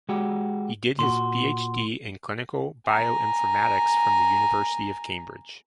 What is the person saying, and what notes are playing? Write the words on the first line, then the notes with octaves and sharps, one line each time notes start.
He did his PhD in clinical bioinformatics from the University of Cambridge.
G#3 F#4 G4
A#2 F#4 C6
G#5 A#5